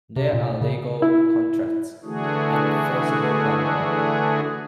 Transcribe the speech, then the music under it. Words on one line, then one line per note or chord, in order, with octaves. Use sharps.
There are legal contracts, enforceable by law.
C3
A#2
C#3
E4
D3 E3 A3 D4 F#4 G#4